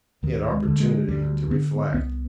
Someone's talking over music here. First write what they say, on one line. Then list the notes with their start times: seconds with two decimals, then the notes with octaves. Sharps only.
He had opportunity to reflect.
0.23 D2 D#3
0.52 G#3
0.65 D3
0.80 G#3
1.08 D2 G3
1.51 D3 B3
1.94 C2 B3